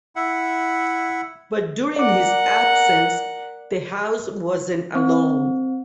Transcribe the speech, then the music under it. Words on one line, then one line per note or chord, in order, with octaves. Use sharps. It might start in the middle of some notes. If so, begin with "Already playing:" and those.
But during his absence, the house wasn't alone.
E4 E5 F#5
A#4 D5 F#5 D6
C4